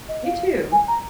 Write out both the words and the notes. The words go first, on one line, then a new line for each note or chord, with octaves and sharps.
You, too.
D#5
F5
G#5
A#5